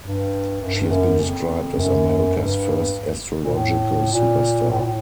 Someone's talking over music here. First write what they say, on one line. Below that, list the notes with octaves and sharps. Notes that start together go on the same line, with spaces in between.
She has been described as "America's first astrological superstar".
G2
F#2
G2
F#2
F2
F#2
G2
A#2
A2
A#2
A2
A#2
A2